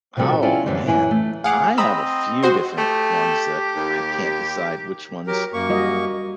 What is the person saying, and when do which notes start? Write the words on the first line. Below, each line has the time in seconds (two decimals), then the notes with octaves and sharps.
Oh man, I have a few different ones that I can't decide which one's
0.17 C3 F3 G3 C4 F#4 A4
0.42 C4 C#4 E4 F4 D5
0.66 F#2 D3 E3 F3 G3
0.86 F#2 E3 E4 G#5
1.11 A3
1.44 G#4 F5 F#5 D6
1.78 C4 D#5 A#5 B5 E6
2.43 F#4 C5 C6
2.78 A3 G4
3.75 D#2
5.27 F#3 G4 A#4
5.53 F#2 A#3 C#6
5.69 G3 F#4 D#5